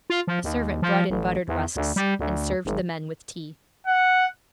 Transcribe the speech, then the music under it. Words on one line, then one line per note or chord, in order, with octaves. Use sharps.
A servant brought in buttered rusks, and served the men with tea.
F4
F3
D#2
F3
A1
E2
D2
G3
D2
G#1
F#5